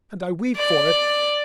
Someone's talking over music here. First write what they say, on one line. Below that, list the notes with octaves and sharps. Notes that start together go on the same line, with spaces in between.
And I weep for it!
D5